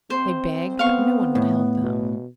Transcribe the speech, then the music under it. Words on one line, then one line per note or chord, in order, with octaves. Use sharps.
They begged, but no one would help them.
C4 C5
B3 F5 C#6
A2
B2